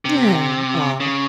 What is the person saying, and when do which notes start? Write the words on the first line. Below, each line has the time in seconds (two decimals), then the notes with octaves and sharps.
Yeah, aw.
0.05 C3
1.00 C#3